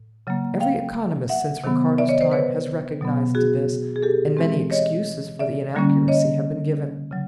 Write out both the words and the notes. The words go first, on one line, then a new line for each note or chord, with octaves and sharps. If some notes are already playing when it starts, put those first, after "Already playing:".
Every economist since Ricardo's time has recognized this, and many excuses for the inaccuracy have been given.
Already playing: A2
C#3 F#3 A#3
F5 G5
E5 F#5
C3 D#3 F#3 B3
D5 E5
C#5 D#5
C5 D5
B4 C#5
B2 F#3 B3
F#4 G#4
G#4
G4 A4
E3 G#3 C4
C#5 D#5
D5 E5
D3 G3 A#3 C#4
C#5 D#5
C#3 F#3